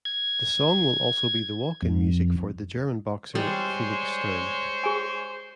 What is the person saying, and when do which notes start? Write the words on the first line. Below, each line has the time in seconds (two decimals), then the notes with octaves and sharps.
The song will also be the walk-in music for the German boxer, Felix Sturm.
0.05 G#6
1.82 F2
3.35 G3 G#3 C5 C#5
4.84 G#4 G#5